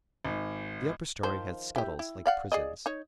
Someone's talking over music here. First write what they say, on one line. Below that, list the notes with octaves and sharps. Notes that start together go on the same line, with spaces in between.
The upper story had scuttles like prisons.
G#1
D#3 F3 C5
E4 G4
E4
D5 F5 F#5
G#4 D5 D#5
D#4 C#5